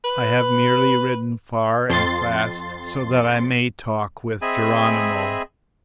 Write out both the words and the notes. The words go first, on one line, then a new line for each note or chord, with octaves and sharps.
"I have merely ridden far and fast so that I may talk with Geronimo."
B4
F2 C6 A6
C4 G#4 D#5 E5 G#5 B5